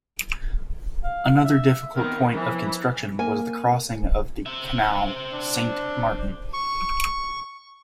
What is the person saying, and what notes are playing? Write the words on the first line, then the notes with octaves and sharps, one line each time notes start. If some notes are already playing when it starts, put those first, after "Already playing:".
Another difficult point of construction was the crossing of the Canal Saint-Martin.
F5
E5
D#3 B3 C4 A#4
E3 F3
A#3 G#5
C4 E5
D4
C#6